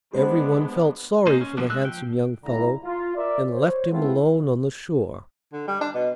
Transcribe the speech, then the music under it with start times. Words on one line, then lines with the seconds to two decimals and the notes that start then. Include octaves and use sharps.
Everyone felt sorry for the handsome young fellow and left him alone on the shore.
0.13 G#3 B3 D4 G4 C5
1.27 A#3 D#4 G#4 C5
1.41 C#4
1.57 D3 F3 G3 A#3 B3
1.70 G#3 E6 F#6
1.85 F3 G5
2.44 C2 D3 G#3 E4 A#5
2.84 F4
3.16 A#4 D5 E5
3.51 C5 C#5
3.91 G#3 B3 C4 E4 F4 A4
5.53 D3
5.68 G3
5.81 D4
5.94 B2